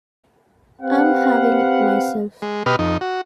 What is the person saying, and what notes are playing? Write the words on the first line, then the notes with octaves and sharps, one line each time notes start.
I'm having it myself.
C4 G4 B4 F5 F#5
G#3
B2 G4 B4 D#5 F6
F2 D#4
F#4